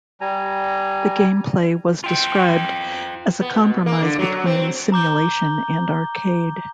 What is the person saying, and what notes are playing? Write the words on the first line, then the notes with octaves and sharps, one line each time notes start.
The gameplay was described as a compromise between simulation and arcade.
G3 G#5 A#5
F4 G5
B3
B2
A#3
D3
F#3
C4
A#5 D6 G6 G7